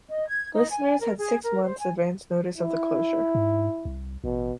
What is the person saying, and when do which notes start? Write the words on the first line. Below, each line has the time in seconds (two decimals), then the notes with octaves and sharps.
Listeners had six months advance notice of the closure.
0.09 D#5
0.28 G#6
0.54 D#4
0.70 G#5
1.01 A#4
1.19 G#4
1.44 A#4
1.63 C5
1.79 G#5
2.58 E4
3.35 G#2
3.85 C2
4.24 A1 B2